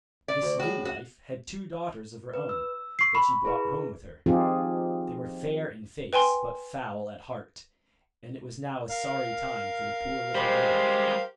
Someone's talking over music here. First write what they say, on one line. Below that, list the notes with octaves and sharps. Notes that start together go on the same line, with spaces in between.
This new wife had two daughters of her own, that she brought home with her; they were fair in face but foul at heart, and it was now a sorry time for the poor little girl.
D5
D2
A2 F#4 G#4
F#4
B4
E6
C#6 C7
B5 C#6
E4 G#4 B4
F3 C4 D#4 F4 G4 G#4
B4 G5 G#5 C6
A#4 F5
G3 G#3 G4 C5